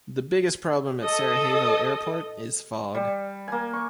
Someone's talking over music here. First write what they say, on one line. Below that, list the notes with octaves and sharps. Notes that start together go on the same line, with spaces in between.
The biggest problem at Sarajevo Airport is fog.
A4 D#5
G3
A#3 G#5
C#6